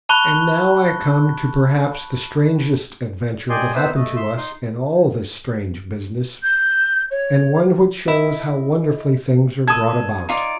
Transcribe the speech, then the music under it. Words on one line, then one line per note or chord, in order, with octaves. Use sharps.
And now I come to perhaps the strangest adventure that happened to us in all this strange business, and one which shows how wonderfully things are brought about.
A5 B5 C#6 F#6 G7
G4 D5 D#5 G#5 C6
B3 C4 D#4 B4 C5 E5
A3 D#5
E5 C6 E6
D#4 C6
G6
C#5
E4 D#5
A4 D#6 G#6
D#4 F4 D5